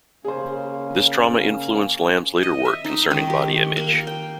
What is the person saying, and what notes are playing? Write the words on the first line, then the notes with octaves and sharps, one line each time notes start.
This trauma influenced Lamm's later work concerning body image.
C#3 A#3 C#4 G#4 C5
D#5
E5
D#4
D#3
G4
A#3
G5